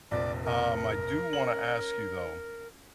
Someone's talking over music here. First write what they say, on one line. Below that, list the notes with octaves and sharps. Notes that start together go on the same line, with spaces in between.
um, I do wanna ask you, though,
F1 A#1 D5
A#4
C#4 F#7